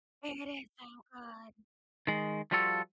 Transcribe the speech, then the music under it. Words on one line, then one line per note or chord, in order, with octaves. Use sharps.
It is so good
D#3 G#3
F3 G3 F4 F#4 A4